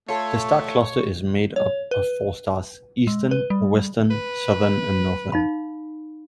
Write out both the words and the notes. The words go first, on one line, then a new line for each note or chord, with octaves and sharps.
The star cluster is made up of four stars: Eastern, Western, Southern and Northern.
A3 F4 A4 C#5
C#5
B4
G#3
B4
G3
B4
D#4 F5 B5